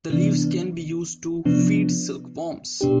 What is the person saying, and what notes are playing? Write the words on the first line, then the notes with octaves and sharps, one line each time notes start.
The leaves can be used to feed silk worms.
C3 E3 B3 D4
C3 F3 B3 D4
B2 B3 D4 G4